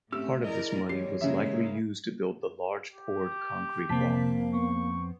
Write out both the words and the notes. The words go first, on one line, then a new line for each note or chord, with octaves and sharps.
Part of this money was likely used to build the large poured concrete barn.
A2 A3 C4 C#4 G4 E6
E4 G#4 A#4 D5 D#5
E3 G3 G#3 G4 C#5 C7
C#3 G#3 A#3 E5
G4
F2 C3 A#3 C4 A5 B6
B3 C#6